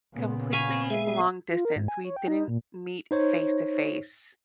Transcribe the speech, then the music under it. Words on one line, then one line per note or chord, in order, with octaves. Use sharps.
completely long distance. We didn't meet face to face,
A#2 C#3 B3
F5 G#5 B5 C#6
G#3 G#4 E5
F4
A#4
G#2
G#5
C#5
G5
D#4
A#2
D#4 C5 C#5